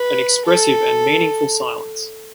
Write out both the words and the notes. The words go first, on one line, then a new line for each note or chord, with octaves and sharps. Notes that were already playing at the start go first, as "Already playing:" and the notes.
An expressive and meaningful silence.
Already playing: B4
A4